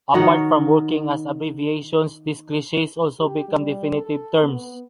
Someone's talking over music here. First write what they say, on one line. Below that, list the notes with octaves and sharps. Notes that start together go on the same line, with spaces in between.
Apart from working as abbreviations, these cliches also become definitive terms.
D#3 D#4 F#4 C#5
G4
G3
A4
B3